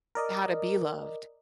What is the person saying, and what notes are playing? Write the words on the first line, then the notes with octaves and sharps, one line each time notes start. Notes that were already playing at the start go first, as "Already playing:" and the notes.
How to be loved.
A#4 D5 D#5